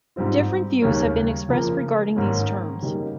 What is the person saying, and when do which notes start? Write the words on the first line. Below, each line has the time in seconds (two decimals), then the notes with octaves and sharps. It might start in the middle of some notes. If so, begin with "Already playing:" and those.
Different views have been expressed regarding these terms.
0.16 G#2 G3 C4 F4
0.82 D#2 C#3 G3 A#3 C#4
1.49 C#3 F3 A#3
2.16 G#2 D#3 A#3 C#4
2.82 C#3 G3 A#3 D#4